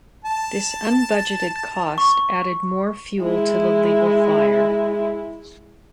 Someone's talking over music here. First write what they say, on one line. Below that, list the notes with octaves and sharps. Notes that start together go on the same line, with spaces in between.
This unbudgeted cost added more fuel to the legal fire.
A5
C#6
G#3 E4